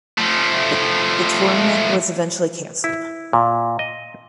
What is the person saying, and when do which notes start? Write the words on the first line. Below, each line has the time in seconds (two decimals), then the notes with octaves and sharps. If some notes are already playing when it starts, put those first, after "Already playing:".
The tournament was eventually cancelled.
0.18 F3 A3
2.84 E4
3.33 A#2
3.79 D#5